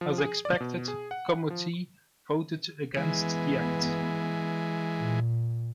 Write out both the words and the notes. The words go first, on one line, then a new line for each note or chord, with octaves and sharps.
As expected, Comuzzi voted against the Act.
F3
G#4
D5
B2
G#4
F#5
F3
E3 G#3 B3
A#2